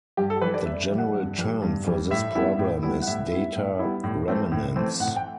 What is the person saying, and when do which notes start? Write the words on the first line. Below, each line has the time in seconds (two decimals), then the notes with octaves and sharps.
The general term for this problem is data remanence.
0.17 G2 G4
0.30 A4
0.42 E3 G3 B4
0.54 D5
0.66 G2 E5
0.90 E3 G3
0.98 F#5
1.14 G2
1.38 E3 G3
1.62 G2
1.87 E3 G3
2.11 A2 E5
2.35 G3 B3 E4
2.59 A2
2.83 G3 B3 E4
3.02 F#5
3.07 A2 E5
3.31 G3 B3 E4
3.55 A2
3.79 G3 B3 E4
4.04 A2
4.27 E3 A3 C4
4.52 A2
4.76 E3 A3 C4
5.00 A2 F#5
5.16 G5